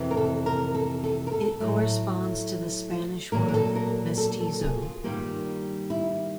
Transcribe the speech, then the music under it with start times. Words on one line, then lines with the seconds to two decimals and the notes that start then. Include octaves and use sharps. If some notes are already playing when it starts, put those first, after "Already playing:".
It corresponds to the Spanish word "mestizo".
Already playing: F2 C3 E3
0.11 A#4
0.17 A4
0.46 A#4
0.75 A4
1.04 A4
1.27 A#4
1.32 A4
1.60 A2 F#3 A3
3.32 A#2 F#3 A#3 A#4
3.48 A#4
3.54 A4
3.75 A#4
4.18 A4
4.40 A4
4.61 G#4
4.82 F4
5.04 G2 D#3 G3 A#3
5.90 E4